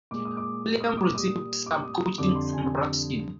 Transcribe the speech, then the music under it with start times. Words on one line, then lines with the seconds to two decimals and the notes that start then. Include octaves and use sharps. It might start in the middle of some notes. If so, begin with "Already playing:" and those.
William received some coaching from Ruskin.
0.11 A#2 G#3 D6
0.25 D#6
0.37 D6
0.80 D#6
0.98 D6
1.15 A#2 G3 D#6
1.66 D6
1.84 D#6
2.18 F2 D3 G3 D6
2.35 C6
2.53 G#5